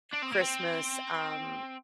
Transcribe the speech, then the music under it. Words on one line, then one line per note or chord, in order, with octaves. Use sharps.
Christmas, um,
D4
C4
A#3
C4